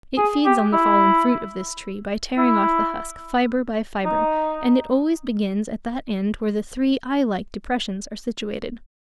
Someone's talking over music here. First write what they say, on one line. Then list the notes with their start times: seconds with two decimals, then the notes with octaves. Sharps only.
It feeds on the fallen fruit of this tree by tearing off the husk, fibre by fibre; and it always begins at that end where the three eye-like depressions are situated.
0.18 G#4
0.45 G4
0.73 E4
2.38 E4
4.05 D#4